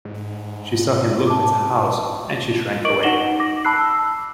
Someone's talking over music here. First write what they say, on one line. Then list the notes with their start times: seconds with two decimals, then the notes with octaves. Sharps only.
She saw him look at the house, and she shrank away.
0.05 G#2
1.27 A5 D6
2.84 A#4 D#5 C#6 D6 D7 F#7
3.03 D#4 F#5 A#6 E7 F#7 G7
3.40 D6 A#6
3.65 A5 B5 E6 F#6 C7
3.81 E6